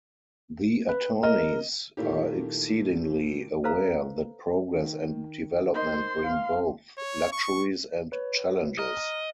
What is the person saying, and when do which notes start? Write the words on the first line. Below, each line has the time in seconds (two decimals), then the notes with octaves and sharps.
The attorneys are exceedingly aware that progress and development bring both luxuries and challenges.
0.89 B4
1.23 A#4 D#5
1.97 A#2 D#3 A3 A#3 E4 G4
3.64 A4 B4 C5 F5 A#5
4.75 D#3
5.74 D#4 A#4 C5 D#5 C6
6.24 F5
6.98 C#5
7.33 C#6
8.12 B4 C#5
8.79 D#5 A#5 F6